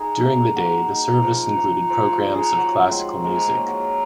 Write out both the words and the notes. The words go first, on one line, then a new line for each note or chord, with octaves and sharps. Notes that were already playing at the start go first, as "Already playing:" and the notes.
During the day, the Service included programmes of classical music.
Already playing: D#4 G#4 G#5
A#3
A#3 F#4 F#5
D#4
F3 A#4 A#5
F3
F3 C5 C6
A#4 A#5
D#4
G#4 G#5 A#5
C#4 F#4 F#5
G#3 C4 C5
G#3 A#3 A#4
A#3 A#4
C#4
F#4